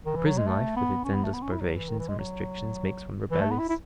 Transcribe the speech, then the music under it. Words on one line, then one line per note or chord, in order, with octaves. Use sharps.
For prison life with its endless privations and restrictions makes one rebellious.
D#3
E3
F#3
G#3
A3
B3
C#4
B3
A3
B3
C#4
E4
F#3
E3
D#3
E3
G#3
F#3
E3
A3
B3
E4
E4